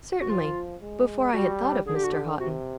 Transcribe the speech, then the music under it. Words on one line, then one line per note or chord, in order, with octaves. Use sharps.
"Certainly;--before I had thought of Mr. Houghton."
F#4
F3 F4
G#3
G3 F#4
D3 G#4
G4
F#4
G4
C3 F#4